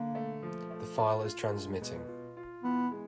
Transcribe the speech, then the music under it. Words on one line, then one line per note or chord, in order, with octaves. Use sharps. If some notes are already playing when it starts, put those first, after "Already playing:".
The file is transmitting.
Already playing: D3 A#3
A3
F3
A3
F4
F4
G#3
B2
F4
F4
E3 B3
G#3